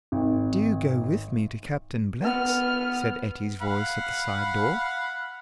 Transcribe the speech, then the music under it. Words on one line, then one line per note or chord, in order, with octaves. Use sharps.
"Do go with me to Captain Black's," said Etty's voice at the side door.
G#1
B3 F6
F5 F#5 B5